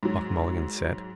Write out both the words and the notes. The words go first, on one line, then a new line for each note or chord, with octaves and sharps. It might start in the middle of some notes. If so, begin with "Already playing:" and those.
Buck Mulligan said.
G#2 F#3